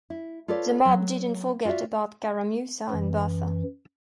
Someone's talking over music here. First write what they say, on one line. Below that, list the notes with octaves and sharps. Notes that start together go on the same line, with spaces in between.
The mob didn't forget about Caramusa and Buffa.
E4
F4 A4 B4 C#5 D5
F#3
F4 F#4 B4 D5 E5
F#2 E3